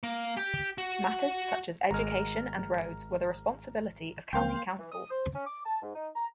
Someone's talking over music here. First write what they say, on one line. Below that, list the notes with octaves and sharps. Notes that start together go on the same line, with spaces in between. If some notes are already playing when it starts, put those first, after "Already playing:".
Matters such as education and roads were the responsibility of county councils.
A#3
G4 G5
F#4
G#1 G#3 A#5 F6
C#2 A#3 C4 A#4 F5 G5 C6 G6
E3
D#6
C5
C#4
D6
A5
G#2
D#4
A#5